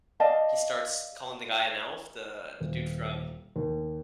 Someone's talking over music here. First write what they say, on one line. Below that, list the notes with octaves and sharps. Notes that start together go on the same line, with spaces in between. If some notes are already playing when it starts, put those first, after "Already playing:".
he starts calling the guy an elf, the the dude from
D5 D#5 F5 A5
D#1
D#2